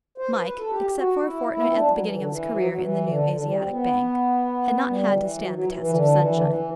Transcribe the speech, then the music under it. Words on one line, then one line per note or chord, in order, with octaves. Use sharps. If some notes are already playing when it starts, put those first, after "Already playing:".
Mike, except for a fortnight at the beginning of his career in the New Asiatic Bank, had not had to stand the test of sunshine.
C5
B4
B4
A4
G4
G4
F#4
E4
E4
B3
C4
D4
F#3
E3
D3
E3
F#3
F#3
E3
D3
D3
G3
C4
B3
G3
D3
E3
F#3
F#3
E3
E3
D3
F#3
E3
D3
E3